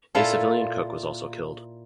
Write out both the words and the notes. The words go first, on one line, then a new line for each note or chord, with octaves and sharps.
A civilian cook was also killed.
A#2 E4 F4 A4